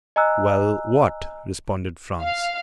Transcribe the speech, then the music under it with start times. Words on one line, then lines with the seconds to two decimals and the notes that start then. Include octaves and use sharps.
"Well--what?" responded Franz.
0.16 D#5 G#5 A#5 E6 F#6
2.22 F5